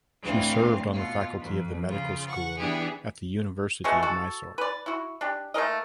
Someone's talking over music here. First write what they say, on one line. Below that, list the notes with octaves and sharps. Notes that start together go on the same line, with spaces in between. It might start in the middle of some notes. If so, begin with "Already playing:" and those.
She served on the faculty of the medical school at the University of Mysore.
D2 A2 E3 C4 F5
B2 F4
F2
C#3 F4
F#5 C#6
E3 B3 D4 E4 G4 G#4
G#3 A3 B3 F#4
F#4 A4
B4 D5
E4 F#4
D4 G4
A3 A#3 A#4 D#5